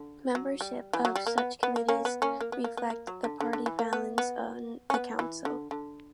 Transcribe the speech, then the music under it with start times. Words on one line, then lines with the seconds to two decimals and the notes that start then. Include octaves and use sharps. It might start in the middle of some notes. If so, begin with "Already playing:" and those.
Membership of such committees reflects the party balance on the council.
Already playing: D3
0.35 F#3
0.61 G3
0.93 E3
1.05 F#3
1.16 G3
1.27 A#3
1.38 B3
1.63 B3
1.76 A#3
1.88 A#3 C#4
2.05 B3
2.22 A#3 C#4
2.41 A#3
2.52 B3
2.64 A#3
2.77 B3
2.90 A#3
3.07 F#3
3.24 D3
3.40 D3
3.53 D3
3.66 E3
3.79 A#3
3.93 B3
4.18 B3
4.90 C#4
4.94 B3
5.19 E3
5.45 D3
5.71 D3